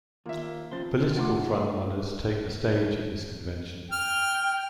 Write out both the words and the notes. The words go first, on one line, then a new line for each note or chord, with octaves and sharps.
Political front runners take the stage at this convention.
D#2 A#3 F4 E5
F3 C4 C6 A6
C3 A3 F4 F#5 C6 D6
G5 F6